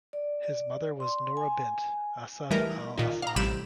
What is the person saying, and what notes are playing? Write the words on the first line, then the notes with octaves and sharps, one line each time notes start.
His mother was Noura bint Assaf Al Assaf.
D5
D5
C6
G#5
E3 G3 A3 D#4 A#4
A#2 D#3 D#4
F5 A#5
A1 C3 G3 B5 D7 E7